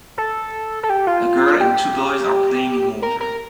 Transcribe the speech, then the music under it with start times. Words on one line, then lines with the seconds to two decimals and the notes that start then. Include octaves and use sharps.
A girl and two boys are playing in water.
0.18 A4
0.83 A4
0.89 G4
1.07 F4
1.60 G4
3.02 A#4
3.20 A#4